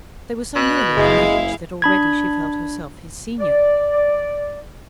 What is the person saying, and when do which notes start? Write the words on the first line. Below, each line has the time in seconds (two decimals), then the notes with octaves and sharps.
They were so nearly of an age that already she felt herself his senior.
0.56 B2 F#6
0.97 F#1 G#3 E4 G#4 F5
1.82 D4 B5 G#6
3.40 D5